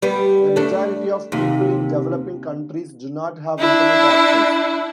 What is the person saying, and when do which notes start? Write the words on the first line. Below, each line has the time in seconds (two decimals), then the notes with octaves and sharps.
The majority of people in developing countries do not have Internet access.
0.02 G3 B3
0.56 A3 D4
1.32 D#2 C3
3.59 D4 E4